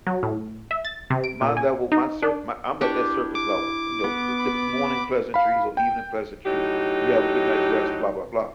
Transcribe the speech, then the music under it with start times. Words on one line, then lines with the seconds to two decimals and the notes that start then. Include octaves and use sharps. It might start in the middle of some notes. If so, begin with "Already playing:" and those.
my level, my surf my I'm at that surface level, y'know, the the morning pleasantries or evening pleasantries, "You have a good night's rest" blah, blah blah,
0.07 F#3
0.23 A2
0.71 E5
0.85 A6
1.10 C3
1.24 D7
1.41 A#2
1.57 G#5
1.92 D#4
2.22 D4
2.81 D4 E4 G4 C#6
3.35 D6
4.04 B3
4.39 B5
5.34 F5 B5
5.77 G5
6.46 A2 F#3 D#4 G4